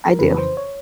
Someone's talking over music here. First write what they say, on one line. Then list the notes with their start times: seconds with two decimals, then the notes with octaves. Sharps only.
I do.
0.09 A#4
0.19 F2 C#3 E3 B4
0.33 B4
0.38 C5
0.57 C#5